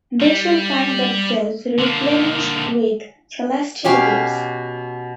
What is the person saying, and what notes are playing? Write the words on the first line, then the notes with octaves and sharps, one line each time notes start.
They shall find themselves replenished with celestial gifts.
G3
D3 A#3
B2 C#4 G4 F5